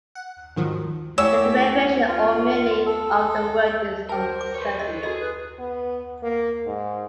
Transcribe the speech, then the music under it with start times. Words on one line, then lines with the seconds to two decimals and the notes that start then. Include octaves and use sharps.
The derivation or meaning of the word is uncertain.
0.15 F#5
0.56 G#2 D#3 F3 F#3
1.18 A3 E4 G4 C#5 E5 F#5 G#5 E6
2.08 F4
2.86 A4
4.09 A#4 C5 G5 A5
4.41 D6
4.55 B4 C#5
4.79 A#4 D#5
5.03 F#4 G#4 A4 D#5
5.20 B4
5.59 B3
6.23 A#3
6.67 G#2